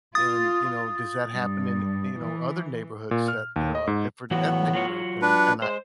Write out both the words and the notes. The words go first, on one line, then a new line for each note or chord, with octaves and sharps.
and, you know, does that happen in, you know, other neighborhoods, that, you know, of different ethnic group, and I
F4 D#6 A6
G2
E3
A#2
F6
D#2
D#5
G#2
A2 E3 F#3 B3 F#4
F#3 F4 C#5
D4 B4
G#3 C5